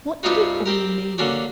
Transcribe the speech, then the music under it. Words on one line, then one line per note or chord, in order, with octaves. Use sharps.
What did it all mean?
G2 C3 G3 D#4 F4 F#4
C4 G4 A#4
D3 A#3 C#4 D4 F#4